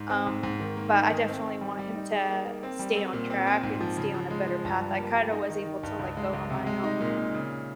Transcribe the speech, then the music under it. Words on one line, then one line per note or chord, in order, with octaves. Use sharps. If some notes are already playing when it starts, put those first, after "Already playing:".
Um, but I definitely want him to stay on track and stay on a better path. I kind of was able to, like, go on my own and
Already playing: G#2
C4
G#2
G#2
D#3
A#3
D#4
D#3
C4
C4
G3
G3
D#4
G#4
A#3
A#3
C4
G3
C4
A#2
C4
C4
G#2
F3
C#3
F3
G#3
F3
G2
G3
A#3
G3
D#4
D#3
D#3
G2
C#2
G#3
C#2
C3
G#3
D#4
A#2
A#2
C#3